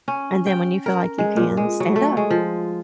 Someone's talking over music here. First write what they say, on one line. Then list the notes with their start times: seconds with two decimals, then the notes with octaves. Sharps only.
and then, when you feel like you can, stand up
0.08 C#4
0.46 G5
0.86 A#4
1.18 G#3
1.37 A#2
1.57 G#3
1.80 F#3
1.96 A3
2.17 G#3
2.31 F3